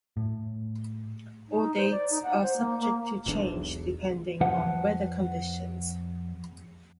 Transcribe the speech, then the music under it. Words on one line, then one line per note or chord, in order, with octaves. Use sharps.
All dates are subject to change depending on weather conditions.
A2
D#4
C5
D5
D#4
F#5
C5
A#3
A#3
E1 B1 E2 D4
F2 F3 B4 F#5